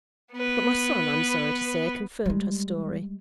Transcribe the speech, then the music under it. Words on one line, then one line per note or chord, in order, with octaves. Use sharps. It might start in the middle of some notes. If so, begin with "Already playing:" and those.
But my son, I am sorry to say, confirmed her story.
B3 B4
G3 G#3